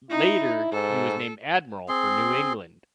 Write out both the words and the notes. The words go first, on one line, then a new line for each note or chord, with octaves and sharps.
Later he was named admiral for New England.
D#4 E4
G#2 A4
C4 G#4 C6